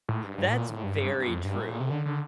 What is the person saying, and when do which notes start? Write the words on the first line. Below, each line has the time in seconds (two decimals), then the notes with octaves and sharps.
That's very true.
0.09 A2
0.24 G2
0.38 G2
0.48 A2
0.53 A#2
0.69 A2
0.83 G2
1.19 G2
1.30 F2
1.45 G2
1.60 A2
1.69 A#2
1.80 C3
1.90 D3
2.06 D3